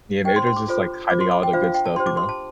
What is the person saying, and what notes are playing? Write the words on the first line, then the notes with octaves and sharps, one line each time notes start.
Yeah, maybe they're just, like, hiding all the good stuff, you know?
D4 G4 C5 G5
C6
C6
D6
F4 A4 C5
F4 C5 D6
C6
D6
G5
D4 F4 C5 F5
F5
G5
A5
D4 G4 C5 C6
D6
C6
A5